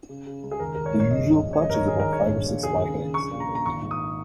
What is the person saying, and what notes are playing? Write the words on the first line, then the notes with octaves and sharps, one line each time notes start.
The usual clutch is about five or six white eggs.
C#3
C#3
C#2
G#4
D#2 A#4
D#2 A#4
C#5
C#3
C#5
A#1 D#5
A#1
A#1
C#5
G#1 D#5
A#4
C#5
D#3
G#4
D#3 A#4
A#1 C#5
A#1
A#2
D#2 G#4
C#3
C#3
A#1 C#6
A#2
A#5
A#2
A#5
G#1 C#6
G#2
D#6